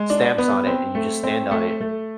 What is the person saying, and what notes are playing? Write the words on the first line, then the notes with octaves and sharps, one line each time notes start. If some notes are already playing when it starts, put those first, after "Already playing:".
stamps on it, and you just stand on it,
Already playing: G#3
D4
B3
C4
A3
C4
A3
A3